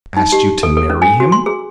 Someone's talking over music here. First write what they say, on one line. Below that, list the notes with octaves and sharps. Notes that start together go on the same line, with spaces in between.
"Asked you to marry him?"
D#4
G4
A4
A4
C#4
G#5
F#4
C6
G#4